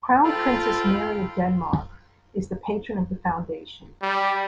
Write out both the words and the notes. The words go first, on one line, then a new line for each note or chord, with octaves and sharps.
Crown Princess Mary of Denmark is the patron of the Foundation.
G#2 F4 A4 G5 B5
G3